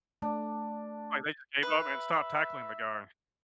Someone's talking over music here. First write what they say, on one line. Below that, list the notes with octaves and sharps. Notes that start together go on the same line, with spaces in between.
Like, they just gave up and stopped tackling the guy.
A3 D4
B4 E5